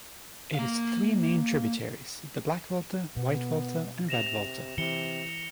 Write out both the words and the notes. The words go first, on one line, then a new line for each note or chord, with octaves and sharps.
It has three main tributaries-the Black Volta, White Volta and Red Volta.
A#3 F5
B2 B3
C3 A#6 E7 F7
C3 E3 C#7 G7